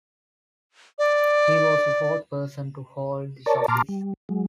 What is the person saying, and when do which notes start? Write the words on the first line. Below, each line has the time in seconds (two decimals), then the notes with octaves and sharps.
He was the fourth person to hold this office.
0.99 D5
3.46 A#4 C#5 D5 A5
3.68 A#2 A5 A#5 C6 D6 F6
3.89 G3
4.29 F#3 G#3